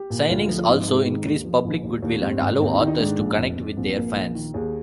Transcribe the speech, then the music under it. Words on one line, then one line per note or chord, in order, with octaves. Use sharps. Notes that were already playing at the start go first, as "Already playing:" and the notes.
Signings also increase public goodwill and allow authors to connect with their fans.
Already playing: G4
A#2
D2 F4
F3
F4
G#1 D#4
G#2
D#3
D#2
F3
A#1
D#2
D#2
G2 C4
G#1
D#2 C4
D#4
D#3
D#4
G#2 D4
A#1
F1
F1
A#1 C4
A#1 A#3
A#1
D#3
D#2 G#4